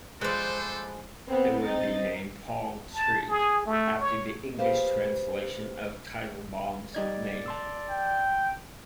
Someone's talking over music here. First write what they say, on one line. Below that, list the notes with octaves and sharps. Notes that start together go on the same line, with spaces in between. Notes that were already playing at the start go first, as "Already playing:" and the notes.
It would be named Palm Tree, after the English translation of Teitelbaum's name.
F3 G#3 A4 B4 C5 D5
B3 C4
C4 D#4 D#5 A6
A5
G#4
A3
C#5
G4 G#4 B4 C5 F5
G3 D#4 D5 G#6
A5 C6 E6
G5